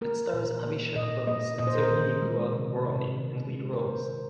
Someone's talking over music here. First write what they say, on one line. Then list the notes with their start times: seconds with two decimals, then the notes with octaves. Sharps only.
It stars Abhishek Bose and Sohini Guha Roy in lead roles.
0.01 A#3 A#4
0.33 A#2
0.64 A#3
0.96 A#2 D#5
1.27 A#3 D#5
1.58 A#2 D#5
1.67 C5
1.75 A#4
1.83 C5
1.91 D#3
2.22 G#3
2.53 C3
2.85 C3
3.17 D#3
3.48 G#3
3.73 A#4
3.79 A#3 C5
4.11 D#3